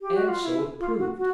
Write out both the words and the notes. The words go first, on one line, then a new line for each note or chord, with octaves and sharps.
And so it proved.
G4
F#4
F4
E4
F4
F#4
F#4